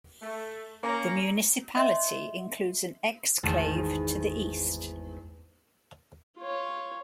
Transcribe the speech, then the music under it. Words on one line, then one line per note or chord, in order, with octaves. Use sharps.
The municipality includes an exclave to the east.
A3
A#3 C#4 A#5
D4 C#5 D#5 E5 C6
G#1 E2 A3 A5 E7
F4 C#5